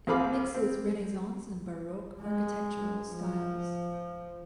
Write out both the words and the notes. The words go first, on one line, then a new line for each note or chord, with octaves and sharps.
It mixes Renaissance and Baroque architectural styles.
C2 C4 G#4 F5 B5 D6
C4
G#3
F3